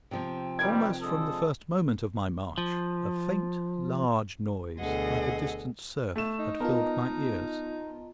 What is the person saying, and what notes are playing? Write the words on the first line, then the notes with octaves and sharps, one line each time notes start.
Almost from the first moment of my march, a faint large noise, like a distant surf, had filled my ears.
C3 F3 C4 G5
E2 D#3 G3 G#6 D7
D3 G#3 A4 D#6
F3
D2 B2 G#4 A4 D#5 F#5
A3 E7
D#4
B3 F4 A#4 D#5 A5 A#5